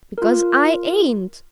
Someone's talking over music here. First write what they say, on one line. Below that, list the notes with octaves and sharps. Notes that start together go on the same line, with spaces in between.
"Because I ain't."
F4 A#4